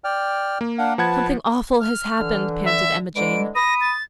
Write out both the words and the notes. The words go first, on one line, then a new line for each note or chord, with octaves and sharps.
"Something awful has happened," panted Emma Jane.
D5 G5 F6
A#3
D4 F5 F#5
F3 B4 F#5 A5 G#6
F6
D3 E3
E5
D3 E3 G#3 D7
B5 D#6 A#6
A6